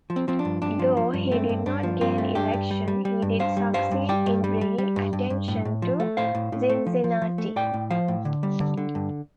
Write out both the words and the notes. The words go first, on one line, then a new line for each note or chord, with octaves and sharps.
Though he did not gain election, he did succeed in bringing attention to Cincinnati.
F3
C4
F3 C4
D4
G2
G2 D4
F3
F3
G2
A3 C4
G2
G2 D4
F3
G2 C4 F4
A3
G2 D4 G4
G2
G3
G3
G3
G2
G2 C5 F5
G3
G2 C5 F5
G2
G3 D5 G5
G2
G3
G3
G3
G2
G2
G2
A2
A2
F3
A3
A2 C5 F5
A2
A2
A3
F3
F3
F3
A3
A2 D5 G5
A2
F3 C5 F5
A2
D3
G3
D3
D3
G2